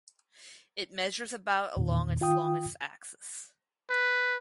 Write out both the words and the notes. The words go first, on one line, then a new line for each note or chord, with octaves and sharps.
It measures about along its longest axis.
E2 A#2 D#3
D#3 F4 G5 D#6
B4